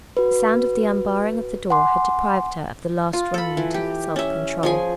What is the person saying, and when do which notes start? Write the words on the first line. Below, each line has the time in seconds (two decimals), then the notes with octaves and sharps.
The sound of the unbarring of the door had deprived her of the last remnant of self-control.
0.17 F#4 B4
1.70 F#5 G#5 C6 D6
3.13 F4
3.34 A4 B5
3.57 E3
3.74 G4
4.16 C#4 E5
4.63 F3 G#4 G#5